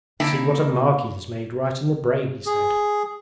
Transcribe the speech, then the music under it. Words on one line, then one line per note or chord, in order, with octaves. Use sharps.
'See what a mark he has made right in the brain,' he said.
D3 A#3 D#4 E4 G5
G#4